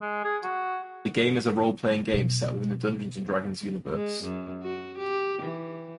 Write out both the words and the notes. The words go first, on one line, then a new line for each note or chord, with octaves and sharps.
The game is a role-playing game set within the "Dungeons and Dragons" universe.
G#3
G#4
F#4
B2 F#3
G#3
F#2
F#4
G4
E3